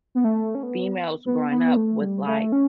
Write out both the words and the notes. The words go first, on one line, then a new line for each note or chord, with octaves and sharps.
females growing up with, like,
B3
A3
C#4
B3
B3
B3
A3
G3
A3
C#4